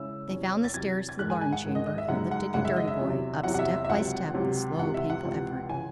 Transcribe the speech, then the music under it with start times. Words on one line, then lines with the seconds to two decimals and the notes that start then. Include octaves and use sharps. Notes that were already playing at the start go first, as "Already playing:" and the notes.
They found the stairs to the barn chamber, and lifted You Dirty Boy up step by step with slow, painful effort.
Already playing: C#3 G#3 C#4 E4 E6
0.29 E2 C3 F#3 C#4
0.64 A6
0.73 E2 C3 F#3 C#4 G#6
1.09 G#6
1.19 G#2 D#3 G#3 F#6
1.30 G#5
1.41 G#5
1.53 F#5
1.64 G#2 D#3 G#3
1.75 D#5
1.86 D#5
1.98 E5
2.08 F#2 C#3 G#3 D#4 F#5
2.31 F#5
2.54 F#2 C#3 G#3 D#4 F#5
2.65 E5
2.76 D#5
2.88 E5
2.99 E2 C3 F#3
3.44 E2 C3 F#3 F#5
3.54 F#5
3.59 E5
3.74 E5
3.84 E5
3.89 C#2 C3 F#3 F#5
4.34 C#2 C3 F#3
4.79 C#2 C3 E3 F#5
4.94 E5
5.10 F#5
5.25 C#2 C3 E3
5.69 C#3 E3 G#5